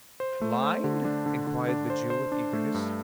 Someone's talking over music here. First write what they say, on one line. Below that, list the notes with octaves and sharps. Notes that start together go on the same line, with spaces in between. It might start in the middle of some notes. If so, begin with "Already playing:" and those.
'Lined?' inquired the Jew, with eagerness.
C5
A3
C5
D3
D4
D3
D3
D4
C5
C5
D4
A3
G2